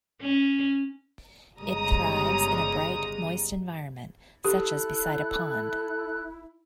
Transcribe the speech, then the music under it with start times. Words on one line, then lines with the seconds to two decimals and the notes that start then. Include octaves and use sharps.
It thrives in a bright, moist environment, such as beside a pond.
0.22 C#4
1.60 G1 C#3 G3 G#3 A#5 D#6
4.45 E4 G4 A4 F#6